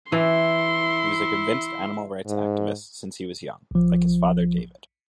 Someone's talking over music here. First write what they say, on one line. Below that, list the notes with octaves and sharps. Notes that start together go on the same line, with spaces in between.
He was a convinced animal-rights activist since he was young, like his father David.
E3 E4 C6
G#2
A#1 F3